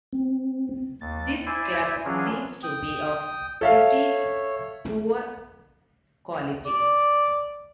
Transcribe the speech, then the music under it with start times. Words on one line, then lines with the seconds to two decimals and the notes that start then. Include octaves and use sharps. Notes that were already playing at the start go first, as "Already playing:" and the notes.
This club seems to be of pretty poor quality.
0.13 C4
1.01 D#2 A6
1.46 E4 C5 D5 E5 G#5
2.05 E3 F#3 C#4 D4 F4 G#4
2.63 G5 D#6
3.61 A4 C#5 E5 F5
6.66 D5